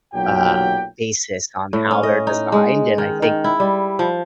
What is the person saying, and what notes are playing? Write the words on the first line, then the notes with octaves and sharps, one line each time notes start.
uh, basis on how they're designed and I think
B1 A#2 F#3 G4 G5
A2
C#4
D#5
D#4
G#3
D#3
D#3
E4
G3
F3